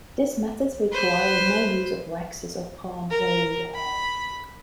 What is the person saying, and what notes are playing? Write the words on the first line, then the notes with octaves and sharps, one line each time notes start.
This method requires no use of waxes or palm rolling the hair.
B4 C5
A#4
B5